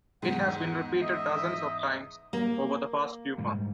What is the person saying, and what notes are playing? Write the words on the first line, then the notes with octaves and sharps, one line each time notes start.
It has been repeated dozens of times over the past few months.
E2 G#2 F#5
D#5 E5 D#6
A#3
G#2 G3